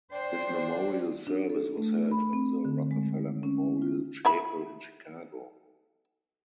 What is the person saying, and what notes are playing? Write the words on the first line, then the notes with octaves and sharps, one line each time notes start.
His memorial service was held at the Rockefeller Memorial Chapel in Chicago.
D4 C5 D5 G5
D4
A4
A3
B5
C4
D3
G#3
C#4
F4
E4 E5 B5